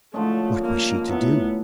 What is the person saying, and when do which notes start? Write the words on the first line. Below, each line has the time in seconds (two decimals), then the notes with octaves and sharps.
What was she to do?
0.14 D3 F3 G#3 A3 C#4
0.60 A#3
1.08 A2 F#3 A3 B3